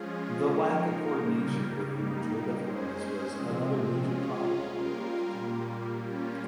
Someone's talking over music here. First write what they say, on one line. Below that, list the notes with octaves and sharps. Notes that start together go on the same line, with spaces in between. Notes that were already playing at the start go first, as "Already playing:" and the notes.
The lack of coordination with the Madrid authorities was another major problem.
Already playing: F3 G#3 C#4 F4 G#4
F3 A#3 D#4 A#4
C#3 G3 A#3
G3 A#3 D#4
G#3 C#4 G#4 C5
C3 F3 G#3 C4
G#3 C#4 F4 G#4
G3 A#3 F4 A#4
A#2 G3 A#3
G3 A#3 C#4 F4